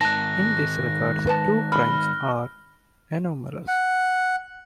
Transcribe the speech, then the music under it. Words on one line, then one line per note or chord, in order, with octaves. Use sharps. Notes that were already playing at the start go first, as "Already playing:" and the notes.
In this regard, two primes are anomalous.
G#2 D#3 A5 F#6 A#6
B4 A5
B5 F6
F#5